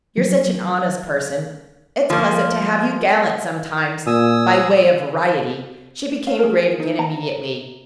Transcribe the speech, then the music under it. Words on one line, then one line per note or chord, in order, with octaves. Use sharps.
"You're such an honest person, it's pleasant to have you gallant sometimes, by way of variety." She became grave again immediately.
F#3
F3 A#3
A#2 G#5 D#6 E6
F5
G#4 A#4
D#4
A#5